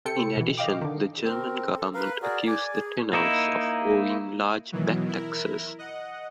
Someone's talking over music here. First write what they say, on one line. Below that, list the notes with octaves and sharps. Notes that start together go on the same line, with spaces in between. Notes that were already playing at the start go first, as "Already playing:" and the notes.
In addition, the German government accused the tenors of owing large back-taxes.
C3 A4 G5 C#7
B2 E3
D#5 F5 G5 D6
D3 D#3
C4 A#4
A4
A#4 B4 F5
F#4 G#4 A#4 D5
D5 G#5 D6
G#4
A#3 D#4 E4
B2 D#3 E3 F#3
E4 A#4
D#5 F#5